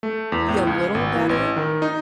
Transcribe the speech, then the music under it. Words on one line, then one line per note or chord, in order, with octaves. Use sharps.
be a little better
A3
E2
A2
C#2
G#1
E3
A1
D#3
D#4